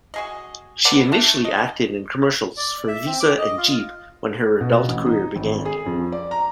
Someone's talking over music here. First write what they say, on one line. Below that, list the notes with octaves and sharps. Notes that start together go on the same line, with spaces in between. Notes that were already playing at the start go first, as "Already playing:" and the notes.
She initially acted in commercials for Visa and Jeep when her adult career began.
F#4 G#4 D#5
A4 B4 D5 F#5
A3 D4
D#5
D5
E5
C4
D6
D#5
F4
B2
A1
D#4
G#1
G#4
F2
D5
A#5